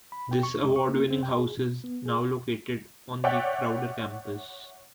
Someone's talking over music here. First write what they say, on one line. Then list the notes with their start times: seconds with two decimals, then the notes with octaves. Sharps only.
This award winning house is now located on the Crowder campus.
0.12 B5
0.31 G5
0.43 C#6
0.64 G#3
0.76 C#6
0.88 A#3
1.10 C4
1.23 G5
1.39 G#4
1.57 B2
1.84 B3
2.06 G#4
3.24 C#5 D5 E5 F#5 G5